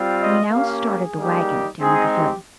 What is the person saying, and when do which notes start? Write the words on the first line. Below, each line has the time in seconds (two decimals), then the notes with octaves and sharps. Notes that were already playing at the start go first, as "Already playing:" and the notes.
We now started the wagon down the hill.
Already playing: G3 C4 F4
0.19 D#5
0.51 A#3 C#4 G4 F5
0.84 G#4
1.16 G3 A#3 D#4 G4
1.80 G#3 C4 D#4 G#4
2.13 G4